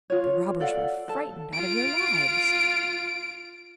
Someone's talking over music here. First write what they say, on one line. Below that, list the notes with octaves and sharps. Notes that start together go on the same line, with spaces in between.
The robbers were frightened out of their lives.
F4 C#5
A4 D5 F5 F#5
A4 A5
F4 D7